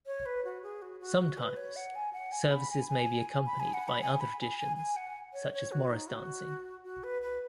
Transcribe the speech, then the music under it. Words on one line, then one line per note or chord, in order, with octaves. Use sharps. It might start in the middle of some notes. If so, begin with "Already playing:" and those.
Sometimes, services may be accompanied by other traditions such as Morris dancing.
C#5
B4
F#4
G#4
F#4
F#4
F#4
B4
C#5
F#5
G#5
F#5
G#5
B5
G#5
G#5
B5
G#5
F#5
B5
G#5
B5
G#5
G#5
G#5
F#5
C#5
C#5
F#4
D#4
F#4
F#4
B4
B4